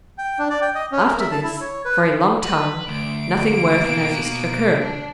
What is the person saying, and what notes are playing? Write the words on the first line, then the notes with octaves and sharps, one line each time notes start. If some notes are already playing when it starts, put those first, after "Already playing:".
After this, for a long time, nothing worth noticing occurred.
G5
D4
D5
G5
D#5
C#4
A#4
E5
A5
E4
C#5
B4
B4
D2 D7
A#3
B2
D4